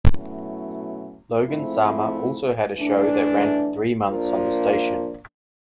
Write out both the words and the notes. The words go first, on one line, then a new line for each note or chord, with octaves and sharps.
Logan Sama also had a show that ran for three months on the station.
B2 F#3 A3 C#4 E4
G#2 F3 A3 C4 E4
E3 A3 D4
F3 A#3 D4 F4 A#4